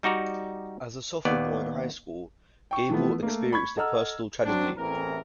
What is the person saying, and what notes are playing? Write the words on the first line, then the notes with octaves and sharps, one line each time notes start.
As a sophomore in high school, Gable experienced a personal tragedy.
G3 D#4 F#4 D5 A#5
D#2 B3 D5
G5 C#6
E3 F3 A3 B3
A3 A#3
B5 C#6 G#6
A4 D#5 F#5 A#5 E6 F6
F#3 C4 D4
A1 E2 E3 A3 C4 A#4